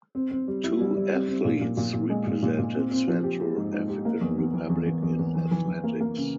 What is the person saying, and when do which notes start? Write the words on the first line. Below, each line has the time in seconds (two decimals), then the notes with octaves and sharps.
Two athletes represented Central African Republic in athletics.
0.15 C4
0.31 C4
0.48 G3
0.64 E4
0.81 G3
0.96 G3
1.12 C4
1.28 C4
1.45 A#2
1.61 A#2
1.77 A#2
1.93 A#2
2.10 G#3
2.27 A#2
2.42 A#2
2.58 A#2
2.75 C4
2.91 C4
3.08 F3
3.24 G4
3.40 G4
3.56 G#2
3.72 G#2
3.89 G4
4.05 A#3
4.21 E2
4.38 E2
4.53 E3
4.69 E2
4.86 E2
5.02 E2
5.19 E2
5.35 E3
5.51 E3
5.68 E3
5.83 A#3
6.00 A#3
6.16 C#3